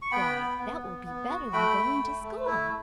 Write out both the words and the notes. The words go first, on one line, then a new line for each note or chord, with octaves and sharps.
"Why, that will be better than going to school!"
C#6
B3 G5 B5
B3
B3
B3
B3
F#4
A3 G5 B5
A3
A3
A3
E4